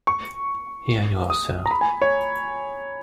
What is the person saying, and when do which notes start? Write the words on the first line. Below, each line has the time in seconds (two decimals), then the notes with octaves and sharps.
Here you are, sir.
0.07 C#6
1.30 D#6
1.66 A#5
1.71 B5
1.81 G#5
2.02 C#5